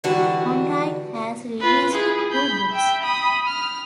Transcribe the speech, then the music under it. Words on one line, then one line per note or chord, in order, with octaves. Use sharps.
Onrait has released two books.
G#2 D3 E3 G3 D4 F#4
F4 B4
E4 G#4
B5 G6
E5 G5
B5 D#6
F6